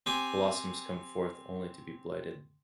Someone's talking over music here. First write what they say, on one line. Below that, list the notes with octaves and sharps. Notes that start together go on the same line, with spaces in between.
Blossoms come forth only to be blighted.
C4 G4 G#5